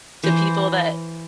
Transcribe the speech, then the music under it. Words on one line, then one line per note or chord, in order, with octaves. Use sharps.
to people that
E3 C5